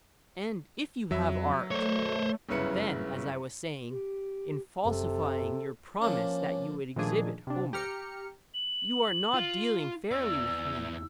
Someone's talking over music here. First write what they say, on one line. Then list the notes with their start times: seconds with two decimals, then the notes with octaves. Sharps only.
And if you have art, then, as I was saying, in falsifying your promise that you would exhibit Homer, you are not dealing fairly with me.
1.11 F2 F#3 E5
1.71 A3 C5 C#5
2.49 G1 F#2 C#3 E4 B4 C#7
3.91 G4
4.85 F#1 C3 A4
6.02 F3 A#3 C#4 D4
6.96 A#2 D#3 F3 A3 D4 G#4
7.47 C3 D4
7.73 G4 A#5 F6 C#7
8.54 F#7
9.34 F4
10.12 E2 D5 E6